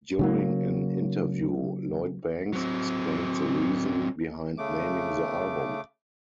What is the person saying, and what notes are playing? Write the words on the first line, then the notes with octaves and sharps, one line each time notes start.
During an interview Lloyd Banks explained the reason behind naming the album.
C#3 F#3 A#3
F#3 C4
C#3 A3 D6